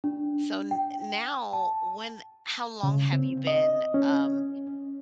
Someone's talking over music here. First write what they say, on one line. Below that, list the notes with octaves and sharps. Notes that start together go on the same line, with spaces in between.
So, n now when how long have you been, um,
D4
G5
A5
C#3
C4
D#5
C#4